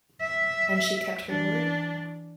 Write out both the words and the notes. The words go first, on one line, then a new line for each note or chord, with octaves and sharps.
And she kept her word?
E5
E3 D4